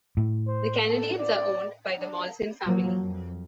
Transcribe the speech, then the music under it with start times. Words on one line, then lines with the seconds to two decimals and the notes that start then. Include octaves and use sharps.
The Canadiens are owned by the Molson Family.
0.17 A2
0.48 C5
0.89 A4
1.19 D5
1.99 D4
2.66 F3 F#3 A#3
3.00 F2